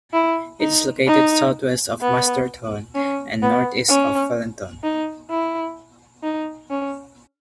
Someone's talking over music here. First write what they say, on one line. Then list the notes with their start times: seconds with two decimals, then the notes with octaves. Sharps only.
It is located southwest of Masterton and northeast of Wellington.
0.13 E4
0.60 D#4
1.07 D#4
2.01 B3
2.95 C#4
3.42 B3
3.89 C#4
4.83 D#4
5.30 E4
6.23 D#4
6.71 C#4